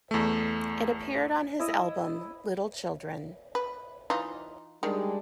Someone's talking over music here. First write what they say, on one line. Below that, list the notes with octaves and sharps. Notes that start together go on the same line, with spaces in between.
It appeared on his album, "Little Children".
E2 A3
E4 D#5
B4
E3 D#4 F4
D#3 G3 G#3 D4 G#4